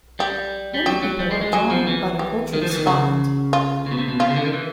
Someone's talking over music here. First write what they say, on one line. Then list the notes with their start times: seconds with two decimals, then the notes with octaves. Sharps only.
Many people are drawn by the culture of Scotland.
0.19 G3 G4
0.74 G3
0.86 F#3 G4
1.03 F#3
1.19 G3
1.31 G#3
1.41 G#3
1.53 F#3 G#4
1.70 F3
1.87 E3
2.19 G4
2.53 D#3
2.62 F3
2.70 E3
2.77 D#3
2.87 C#3 F#4
3.53 F4
3.86 C#3
3.92 B2
3.98 C3
4.08 B2
4.20 C3 F4
4.28 C#3
4.36 D3
4.45 D#3
4.53 E3